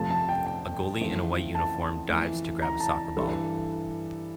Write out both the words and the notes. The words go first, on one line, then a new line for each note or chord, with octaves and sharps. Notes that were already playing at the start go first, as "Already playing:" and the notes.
A goalie in a white uniform dives to grab a soccer ball.
Already playing: F2 C3 F3 A3 A5
A5
G5
G5
F2 E3 A3
A5
F2 E3 A3
A#5
A5
G2 E3 G3 A4